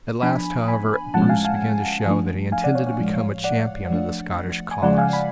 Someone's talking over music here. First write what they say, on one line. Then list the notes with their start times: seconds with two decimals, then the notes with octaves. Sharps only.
At last, however, Bruce began to show that he intended to become a champion of the Scottish cause.
0.22 F3 B3 D4 G#5 B5
0.68 G#5 B5
1.14 A2 F3 G#3 C#4 F#5 A5
1.29 F5 G#5
1.45 F5 G#5
2.06 F3 A3 D4
2.52 F5 G#5
2.64 D5 F#5
2.75 C#5 F5
2.87 C#5 F5
2.99 A2 F3 G#3
3.44 D5 F#5
3.90 F3 A3 D4
4.71 G#5
4.82 C#3 F3 G#3 D5 F#5
4.98 F5 G#5
5.13 G#5 B5